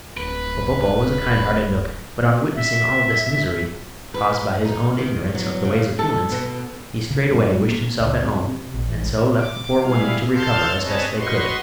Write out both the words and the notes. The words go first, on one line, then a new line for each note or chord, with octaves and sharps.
Popopo was a kind-hearted knook, but on witnessing all this misery, caused by his own ignorance of the ways of humans, he straightway wished himself at home, and so left the poor women to recover as best they could.
D1 B4
E5
B4
D#4
D#3
F#3
C#3
A4
B2
C#3
G2
G3
A#3
C#2
C3
C3
A#1
A1
D6
G3 E4 G#4 F5
A4 F5 A5 C6 F6 G6
C4 G#4 B4 C#5 D#5 A5
F#4 B4 D#5 C6 C#6